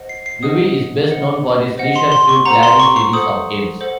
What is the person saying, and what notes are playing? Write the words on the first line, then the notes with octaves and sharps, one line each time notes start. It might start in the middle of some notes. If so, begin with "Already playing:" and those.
Lowe is best known for his "Leisure Suit Larry" series of games.
Already playing: C5 D#5 F#5
C7
C7
C5 D#5 F#5 D#6
C5 D#5 F#5
C5 D#5 F#5
C6
C6
C#6
A4 C5 F#5 A#5
C6
C#6
C#6
A4 C5 F#5 D#6
A4 C5 F#5